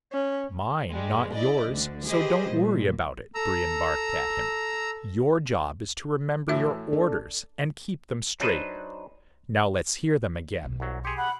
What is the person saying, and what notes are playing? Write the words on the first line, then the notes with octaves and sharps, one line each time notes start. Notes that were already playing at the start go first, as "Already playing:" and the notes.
"Mine, not yours, so don't worry about it," Brion barked at him. "Your job is to remember your orders and keep them straight. Now--let's hear them again."
C#4
G2 G3 G#3
E4 D5 D#5
D2 D3
G4 G#4 B4 C5 D#5
A#2 G3
A4 A#5 E6
A2 E3 A3 F#4 E5
D4 A4 D5
F#3 D4 D#4 B4 C5
B1 B2
C2 F#3
G4 G#4 C6 C#7
F#5 B5